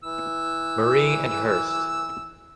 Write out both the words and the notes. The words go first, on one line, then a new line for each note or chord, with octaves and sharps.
Marie and Hearst.
E3 E6